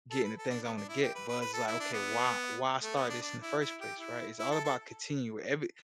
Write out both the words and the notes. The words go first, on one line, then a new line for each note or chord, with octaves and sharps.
getting the things I wanna get." But it's like, okay, why why start this in the first place, right? It's all about continue every
A4
B4
A4
D4
B3
D4
E4
G4
B4
B4
B4
A4
E4
D4
B3
A3
B3
D4
D4
E4
E4
G4
E4
E4
A4
A4